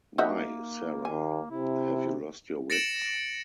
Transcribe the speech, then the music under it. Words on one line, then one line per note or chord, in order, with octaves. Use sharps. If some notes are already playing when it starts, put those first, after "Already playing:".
Why, Sara, have you lost your wits?
A#3 D#4 F#4 E5
D#2 G#5
C3 E4
A6 A#6 C#7 D7 E7 F#7